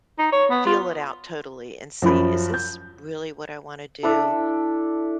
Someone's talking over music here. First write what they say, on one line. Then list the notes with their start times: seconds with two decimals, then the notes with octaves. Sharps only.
f feel it out totally and see, is this really what I wanna do
0.19 D#4
0.32 C#5
0.51 B3
0.67 F4
2.02 F#2 F3 B5
2.54 G6
4.03 D4 E4 A4